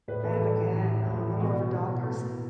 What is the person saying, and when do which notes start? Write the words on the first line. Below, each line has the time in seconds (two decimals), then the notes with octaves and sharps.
I have a cat, um, I’m more of a dog person,
0.08 A2 B4
0.24 E3 B4
0.32 A4
0.41 A2 G4
0.49 A4
0.57 E3
0.74 A2
0.91 E3
1.07 A2
1.24 E3
1.40 B2 F#4
1.57 F#4
1.73 B2 E4
2.07 B2